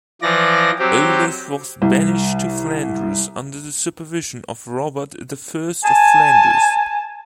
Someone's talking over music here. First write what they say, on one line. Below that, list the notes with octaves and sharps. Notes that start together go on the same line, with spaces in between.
Olaf was banished to Flanders, under the supervision of Robert the First of Flanders.
E3 F3 D5 A#6
F#3 C4 G4
C2
G#5 A5